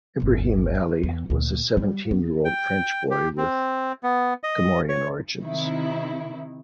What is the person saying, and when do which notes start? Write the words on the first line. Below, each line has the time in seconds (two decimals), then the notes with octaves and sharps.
Ibrahim Ali was a seventeen-year-old French-boy with Comorian origins.
0.20 D1 G1
1.03 E2
1.30 D2 A#2
1.77 G3
2.11 B3
2.45 G5
3.11 G4
3.38 C4
4.03 B3
4.43 D#5
4.89 C#5
5.42 C3 D#3 E4